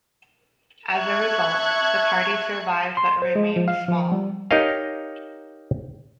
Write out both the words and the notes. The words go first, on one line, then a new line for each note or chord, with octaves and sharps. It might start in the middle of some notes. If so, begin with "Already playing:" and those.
As a result, the party survived but remained small.
E5 A5 C#6 F#6 G#6
C6
C5
G#3
F3
F5
F3
G3
D#4 G4 A#4 C#5 D#5 F5